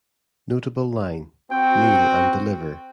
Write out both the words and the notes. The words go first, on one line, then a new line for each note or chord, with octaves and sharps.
Notable line: Kneel and deliver!
C4 F#4 G5